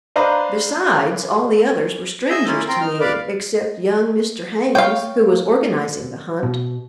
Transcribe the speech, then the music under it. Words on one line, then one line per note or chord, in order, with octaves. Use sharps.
Besides, all the others were strangers to me except young Mr. Haynes, who was organizing the hunt.
D4 B4 C5 D#5 F5 A#5
G#4 D#5 E5 G#5 E6 G6
A#3 C#4 E4 F4
C4 G5 A#5 C6 G6
D#4 F6
B4 D5 F5 B5 D6
C#5 F5 G5
B2